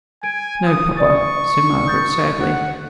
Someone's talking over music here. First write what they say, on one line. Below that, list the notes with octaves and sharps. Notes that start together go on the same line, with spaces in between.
'No, papa,' said Margaret, sadly.
G#5 G#6 D7
D#6
D5 C#6 D#6 A6
D#6 G6 A6
F#5